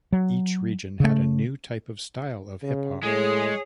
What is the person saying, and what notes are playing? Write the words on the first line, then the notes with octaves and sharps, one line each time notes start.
Each region had a new type of style of hip hop.
F#3
C#3 A3
C#3
A2 G#3 G#4 C#5